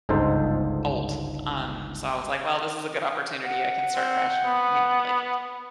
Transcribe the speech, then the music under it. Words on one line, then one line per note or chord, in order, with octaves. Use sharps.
old, um, so I was, like, "Well, this is a good opportunity, I can start fresh," and, you know, like
G1 C#2 G#2 D#4 A4 C5
F#5
C4
B3